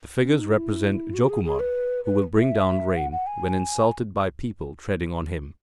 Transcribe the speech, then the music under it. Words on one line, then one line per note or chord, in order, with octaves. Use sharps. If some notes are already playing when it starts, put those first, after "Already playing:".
The figures represent Jokumara, who will bring down rain, when insulted by people treading on him.
C#4
D#4
E4
F#4
G#4
G#4
B4
B4
E5
F#5
F#5
G#5